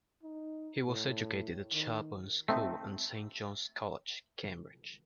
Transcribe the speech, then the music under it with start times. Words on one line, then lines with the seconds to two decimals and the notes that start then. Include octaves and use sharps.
He was educated at Sherborne School and Saint John's College, Cambridge.
0.23 D#4
0.87 A2
1.74 D#3
2.49 A3 C4 D#4